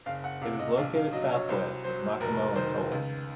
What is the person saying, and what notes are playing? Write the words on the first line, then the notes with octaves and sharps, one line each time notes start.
It is located southwest of Makemo Atoll.
F#1 F5
F#5
C3 F5
D#5
A#1 F5
F5
F#3 D#5
C#5
C2 C5
F#3 C5
F1 A#4
D#3 C5
C#2